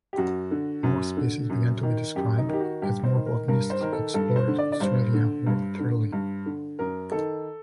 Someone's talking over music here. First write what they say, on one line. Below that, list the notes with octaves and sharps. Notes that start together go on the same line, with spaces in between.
More species began to be described as more botanists explored Australia more thoroughly.
G4
F#2 F#4
D3
F#2
D3
F#2
D#3
F#2 G4
D#4
D#3 G4
F#4
G2 G4
C5
D#3
A#4
G2 A#4
C5
D#3 A#4
A4
G2 A4
C5
D3
D5
D5
G2 C5
D3
G2
D3
G2
D3
F#2 A#4
D#3 A4